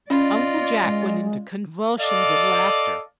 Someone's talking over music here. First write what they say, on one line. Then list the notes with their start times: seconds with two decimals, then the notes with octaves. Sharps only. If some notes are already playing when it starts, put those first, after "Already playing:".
Uncle Jack went into convulsions of laughter.
0.10 C#4 F4 D5 D#5
0.82 G#3
2.00 A4 D5 D#5 F5